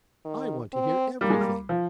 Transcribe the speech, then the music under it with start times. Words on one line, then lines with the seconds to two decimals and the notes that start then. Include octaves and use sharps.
"I want to hear everything."
0.25 D#3
0.73 C4
1.21 G3 A#3
1.30 G#3
1.41 G3
1.69 F3